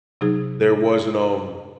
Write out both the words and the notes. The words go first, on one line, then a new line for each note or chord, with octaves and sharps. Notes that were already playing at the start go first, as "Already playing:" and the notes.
there wasn't, um
C3 F#3 D#4 G#4